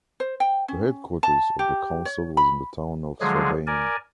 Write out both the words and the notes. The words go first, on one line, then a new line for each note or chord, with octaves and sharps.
The headquarters of the council was in the town of Strabane.
C5
G5
C#4
A5
G4
C#5
B5
D3 F3 F#3 G#3 G#4
A#4 D5 G#5